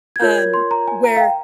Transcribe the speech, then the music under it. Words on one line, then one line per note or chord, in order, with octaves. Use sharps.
um, where
G#6
F4 A#4 C#5 G6
G#6
C6
A#5
G#5
A#5
F5
G5